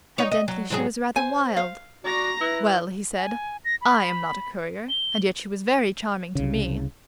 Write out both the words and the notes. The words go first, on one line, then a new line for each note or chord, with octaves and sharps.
Evidently she was rather wild. "Well," he said, "I am not a courier, and yet she was very charming to me."
D#4 C#5
D#5
F#3
G#2 F#3 G#4
C5 G#5
F5
F#4 D5 A#5 A#6
E4 B4
G#5
A#6
B5
G7
C2 C#3